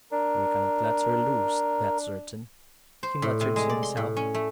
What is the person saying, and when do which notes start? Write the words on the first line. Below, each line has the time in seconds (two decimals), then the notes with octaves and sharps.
"We cannot let her loose, that's certain," he muttered to himself.
0.12 D4 A#4
3.03 C5
3.22 A2
3.41 C3
3.56 G#3
3.70 D5
3.83 C6
3.97 A2
4.17 C#4
4.35 A3